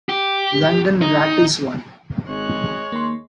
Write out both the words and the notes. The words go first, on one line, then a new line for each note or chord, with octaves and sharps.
London rattles one.
G4
D#4
G#1 G#3 C#5 F#6
D#2 A#3 C6